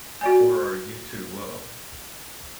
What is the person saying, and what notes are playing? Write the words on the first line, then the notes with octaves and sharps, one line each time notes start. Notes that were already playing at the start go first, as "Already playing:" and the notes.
Or are you too low?
F#4 D5 G#5